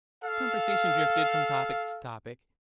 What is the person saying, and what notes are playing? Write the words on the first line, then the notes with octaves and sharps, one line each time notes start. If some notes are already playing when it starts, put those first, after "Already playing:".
The conversation drifted from topic to topic.
A4 F5